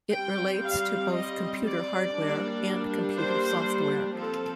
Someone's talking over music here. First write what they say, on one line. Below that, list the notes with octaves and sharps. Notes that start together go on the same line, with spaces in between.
It relates to both computer hardware and computer software.
G3 C4 G5
F5
D#5
D5
G3 A#3 D4
C5
F3 C4 A4